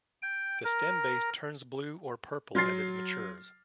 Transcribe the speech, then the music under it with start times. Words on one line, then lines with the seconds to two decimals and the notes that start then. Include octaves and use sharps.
The stem base turns blue or purple as it matures.
0.22 G5
0.65 A#4
2.55 F#3 C6 F6 A6 C7